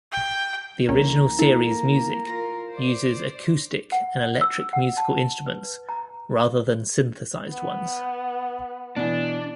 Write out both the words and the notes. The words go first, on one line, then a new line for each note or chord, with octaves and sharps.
The original series' music uses acoustic and electric musical instruments, rather than synthesized ones.
G5
C#2 E3 A#3 C#4 A#4 A#5
A#3 E4 A4 A#4
F4 A#4 A#6
C5 D5
F#5
E6
F#5
A5
B4
A#5
B3
B2 E3 D4